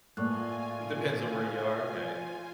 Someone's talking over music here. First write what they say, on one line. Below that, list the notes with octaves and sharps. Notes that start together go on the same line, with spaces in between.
Depends on where you are? Okay.
A2 A#3 F4 D5 G#5 C#6 F#6